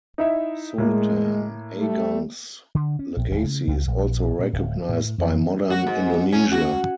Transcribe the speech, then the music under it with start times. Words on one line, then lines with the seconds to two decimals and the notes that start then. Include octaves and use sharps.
Sultan Agung's legacy is also recognised by modern Indonesia.
0.18 D#4 E4 E5
0.78 A2 G#3 A#3
1.77 G3 A3
2.75 D3
2.99 C#4
3.17 A#1
3.31 D1
3.44 C#3
3.67 C#2
3.87 A#1
4.39 A#2
4.53 D1
4.89 A2
5.18 F2
5.70 F#4
5.87 G#2
6.33 C#4
6.52 F#4